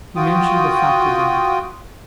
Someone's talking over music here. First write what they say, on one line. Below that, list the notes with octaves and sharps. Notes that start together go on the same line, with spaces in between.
He mentioned the fact again.
F4 F#4 G5 D#6